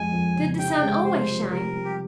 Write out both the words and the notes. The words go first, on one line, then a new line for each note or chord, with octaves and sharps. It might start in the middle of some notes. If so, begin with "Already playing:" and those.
Did the sun always shine?
Already playing: F2 G#3 G#5
F2
C#3
C3 G5
G#3
C3 C5
F3
C3 A#4
G3
G4